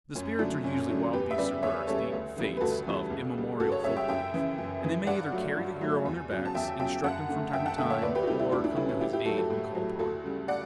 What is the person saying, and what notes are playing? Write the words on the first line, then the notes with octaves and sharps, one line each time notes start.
The spirits are usually wild beasts or birds--the "fates" of immemorial folk belief--and they may either carry the hero on their backs, instruct him from time to time, or come to his aid when called upon.
F#2 C#4
D3 F#3 A3 D4
F#2 C#4
C#4
D3 F#3 A3 C#4
E2 G4 B4
E5
C#3 G3 B4 D5
E2 C#5 E5
C#3 G3 A4 C#5
D2
C#3 E3 G3
B4
D2 F#4 A4
C#3 E3 G3
C#2
C#3 G3
C#2 F#4 A4
A4 C#5
C#3 G3 C#5 E5
E5 G5
F#2 E5 G5
C#3 E3
F#2
C#3 E3
G2 D5 F#5
F#3 A3
G2
F#3 A3
E2
C#3 F#3
A5
E2 E5 G5
C#3 F#3 E5 G5
F#2 F#5 A5
D3 A3
A5
F#2 E5 G5
F#5 A5
D3 A3 E5 G5
C#5 E5
D2 B4 D5
G4 B4
F#4
D3 G3 E4 G4
E4 G4
D2 D4 F#4
D4
D3 G3 C#4 E4
C#4
A2 E4 G4
E4 G4
F#3 A3 F#4 A4
F#4 A4
A2
F#3 A3
D2 F#4 A4
C#3 G3
D5 F#5